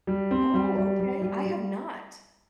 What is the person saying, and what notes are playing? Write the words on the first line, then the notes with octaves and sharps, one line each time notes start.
Oh, okay. I have not.
G3
C4
G3
G3
G3
G3
G3